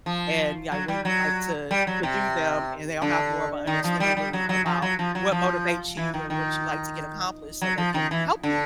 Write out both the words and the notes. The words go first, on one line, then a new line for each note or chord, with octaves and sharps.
and yeah, when you like to to do them, and they'll have more of an understanding about what motivates you and what you like to get accomplished so they can help you.
F3
F#3
G3
F#3
G3
F#3
C3
D3
D#3
F3
G3
G3
F#3
F#3
F3
F#3
F3
F#3
F3
E3
D#3
D#3
F#3
F3
D#3
E3
D3